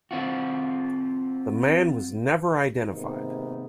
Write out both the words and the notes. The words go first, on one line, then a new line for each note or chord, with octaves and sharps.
The man was never identified.
C4 F4 F#4
G#2 C3 D#3 A#3 B3 D#4